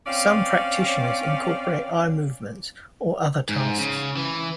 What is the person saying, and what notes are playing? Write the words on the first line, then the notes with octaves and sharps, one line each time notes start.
Some practitioners incorporate eye movements or other tasks.
C4 C#4 D5 F5
G#2
C#3
E3